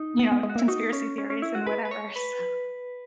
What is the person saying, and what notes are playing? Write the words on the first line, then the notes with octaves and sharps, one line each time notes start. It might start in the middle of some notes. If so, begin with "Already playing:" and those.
you know, conspiracy theories and whatever, so
Already playing: D#4
B3
B3
G#3
F#4
A#3
E4
D#4 F#4
C#4
C#4
C#4
E4
F#4
G#4 B4
B4
C#5
B4